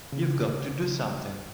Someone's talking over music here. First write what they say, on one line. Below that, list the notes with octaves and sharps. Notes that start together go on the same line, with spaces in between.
You've got to do something!
C#3